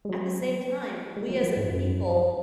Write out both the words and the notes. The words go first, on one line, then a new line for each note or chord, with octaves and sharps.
at the same time, we as a people
G#3
F#3
G#3
F#3
F3
G#2
F#2